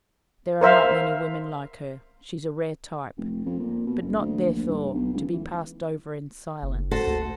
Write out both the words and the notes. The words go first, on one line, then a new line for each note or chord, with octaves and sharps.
There are not many women like her; she is a rare type--but not, therefore, to be passed over in silence.
A#4 C5 E5 F5
F1
F2
A#2
B2
F#1
D2
A#1
G2
B1
C#2
E3
F#1
F#4 A4 C5
D2